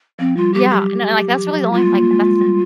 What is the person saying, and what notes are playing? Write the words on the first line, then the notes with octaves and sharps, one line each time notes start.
Yeah, and then, like, that's really the only, like that's
F3 C4
G3 F4
G3 G4
F#3
G3 G4
F#3
F3
F#3
G#3
G3 F4
A#3
A#3
G#3
G#3
G3